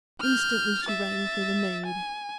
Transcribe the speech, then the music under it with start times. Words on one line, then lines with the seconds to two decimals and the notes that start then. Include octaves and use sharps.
Instantly she rang for the maid.
0.21 F6 G6
0.84 E5 A6
1.86 G#5